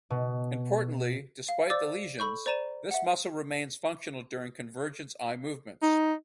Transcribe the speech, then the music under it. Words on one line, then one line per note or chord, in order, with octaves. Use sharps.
Importantly, despite the lesions, this muscle remains functional during convergence eye movements.
B2
F5
C5 D5 D6 E6 A6
A4 B5 C#6 G6
C5 D5 A#5 D#7 E7
E5 F#5
D#4